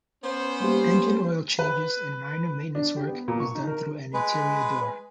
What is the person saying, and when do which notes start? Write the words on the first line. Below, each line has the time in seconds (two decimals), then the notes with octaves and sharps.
Engine oil changes and minor maintenance work is done through an interior door.
0.23 B3 C#4 C5
0.60 G3 A#3 G4
1.59 B4
2.75 D4
2.96 G4
3.08 B3
3.28 A#2
3.40 C#6
3.55 D#4
3.67 A#4
4.14 G#3 B4